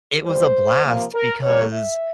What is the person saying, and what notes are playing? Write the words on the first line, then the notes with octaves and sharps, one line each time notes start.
it was a blast because
F2 E3 G3 C5
C3 F3 A#3
A#4
E2 C3 G3 A#3 C#5
E5